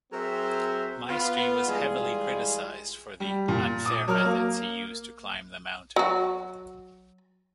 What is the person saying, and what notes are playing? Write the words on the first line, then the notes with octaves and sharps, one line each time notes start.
Maestri was heavily criticised for the "unfair" methods he used to climb the mountain.
F#3 C4 G#4 A#4 C5 E5
B3 F4
E3 G3 G#3 F4 G#4
G3
A#2
D6 D#6
F#3 A#4 F6
A#3
F#3 F#4